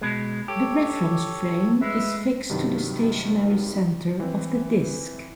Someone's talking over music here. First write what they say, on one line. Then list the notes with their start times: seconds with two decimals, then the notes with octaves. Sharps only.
The reference frame is fixed to the stationary center of the disk.
0.01 B2 G#3
0.48 G4 A4 C#5
1.81 G#3 B4 E5
2.50 G2 C3 D#3 F#3
4.20 E3 C4